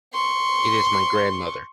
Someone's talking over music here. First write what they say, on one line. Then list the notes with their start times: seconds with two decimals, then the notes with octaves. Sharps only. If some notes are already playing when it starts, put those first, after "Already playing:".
It is my grandmother.
0.13 C6 C#6